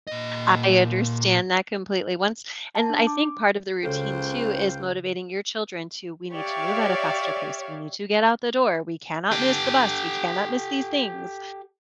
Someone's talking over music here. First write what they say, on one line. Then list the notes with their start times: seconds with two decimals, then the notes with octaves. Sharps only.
I understand that completely, once and I think part of the routine too is motivating your children to, "We need to move at a faster pace, we need to get out the door, we cannot miss the bus, we cannot miss these things,"
0.07 A#2 D#5
2.75 A5
2.90 D4
3.07 D6
3.83 C#2 C#3 F#4 A4 C5 F5 G5
6.33 G4 C#5 D5 E5 F5
9.31 G4 A4